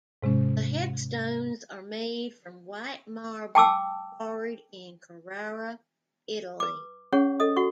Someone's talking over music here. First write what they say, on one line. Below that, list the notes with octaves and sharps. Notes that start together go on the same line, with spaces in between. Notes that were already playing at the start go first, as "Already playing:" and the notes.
The headstones are made from white marble quarried in Carrara, Italy.
G#2 C3 G#3 C#4
G5 A5 D6 E6
B4 D6
C#4 G#4 C#5 F#5 C#6
A4 D#5 D#6
F#4 F#5 C#6